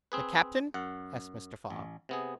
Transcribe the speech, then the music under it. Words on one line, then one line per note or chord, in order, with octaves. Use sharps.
"The captain?" asked Mr. Fogg.
C4 G#4 B4
F#2 F#5
A1
C3 B3 G#4